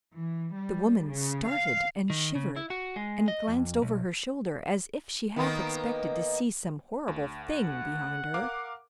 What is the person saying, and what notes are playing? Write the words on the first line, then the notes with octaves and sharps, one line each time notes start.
The woman started and shivered, and glanced over her shoulder as if she half expected to see some horrible thing behind her.
E3
G3
C#3
F5
D#3
C#3
E4
F#4
G#3
D#5
F2
B1
D#3 A#3 B3
D2
F#5
A#4 F5 D6